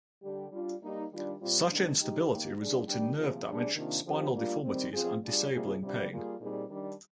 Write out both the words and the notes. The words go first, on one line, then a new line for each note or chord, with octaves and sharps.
Such instability results in nerve damage, spinal deformities, and disabling pain.
D3 G3 D4 G4
G3 D4 F4
G3 A#3 D#4 G4
D#3 G3 D4 F4
A#2 G3 C4 F4
C3 D#3 G3 D4
G#3 D#4 G4
D#3 A#3 D#4 G4
G3 D4 G#4
D#3 G3 D4 G4
C3 F3 A#3 F4 G#4
C3 G3 D4 G#4
C3 D#3 A#3 D4 F4
D3 F3 C4 G4
G3 A#3 D4 F4
D#3 G3 C4
F3 C4 F4 G#4
G3 D4 F4 G#4
C3 G3 A#3 F4 G#4
C3 G3 D4 F4
G3 A#3 F4 G#4
A#2 G3 C4 D#4 G#4
D#3 G3 D4